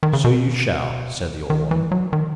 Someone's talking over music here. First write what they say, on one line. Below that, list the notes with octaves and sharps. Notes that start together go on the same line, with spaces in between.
'So you shall,' said the old woman.
D#3
C#3
B2
D#3
E3
F#3
D#3